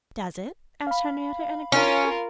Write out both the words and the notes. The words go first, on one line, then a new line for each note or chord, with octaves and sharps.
"Does it?" asked Henriette, enigmatically.
F5 B5
C#4 F4 A#4